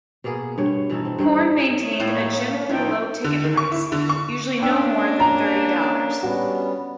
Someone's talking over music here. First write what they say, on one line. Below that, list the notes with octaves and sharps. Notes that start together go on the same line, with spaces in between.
Korn maintained a generally low ticket price, usually no more than thirty dollars.
B2 A#3 B3 G#4
G2 B2 C#5
B2 E3 D#4 A4
C4
G2 C4 C5 F#5
D#3 C#5
A2 A#3
A2 F3 D#4 G5
D3
D#3
C#6
E4
D3
C#6
A#3 C#4 D4 G5 E6
A#5
G3 B3 C#4 F#4